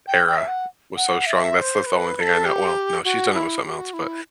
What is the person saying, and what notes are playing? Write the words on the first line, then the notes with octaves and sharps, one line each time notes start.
era was so strong, that's that's the only thing I know well, no, she's done it with something else, but
G5
G5
E5
F#5
F#5
E5
D#5
C5
B4
B4
A4
G4
F#4
E4
G4
F#4
E4